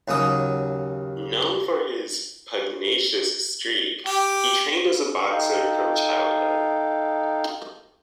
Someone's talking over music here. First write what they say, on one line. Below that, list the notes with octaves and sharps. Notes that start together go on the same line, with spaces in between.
Known for his "pugnacious streak," he trained as a boxer from childhood.
D#2 C#3 F#3 D#6
G4
D#4 A4 F5 G5